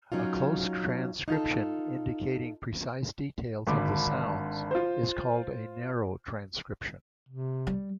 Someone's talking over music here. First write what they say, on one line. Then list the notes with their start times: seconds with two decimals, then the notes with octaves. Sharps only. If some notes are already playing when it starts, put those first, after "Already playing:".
A close transcription, indicating precise details of the sounds, is called a "narrow transcription".
0.12 F#3 C#4 D#4 F4
1.28 D#4 F4 A4
3.67 G#1 D3 B5 D6
4.71 F4 C5
7.29 C3
7.67 G3